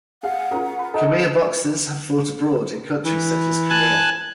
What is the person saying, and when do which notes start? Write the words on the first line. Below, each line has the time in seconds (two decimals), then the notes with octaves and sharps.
Khmer boxers have fought abroad in countries such as Korea.
0.23 G#4 F5 F#5
0.51 C#4 F4 G#4 A#4 A#5
0.79 B4
0.94 D#4 A4 D#5 F#5
3.05 E3
3.70 G#5 A5 F#6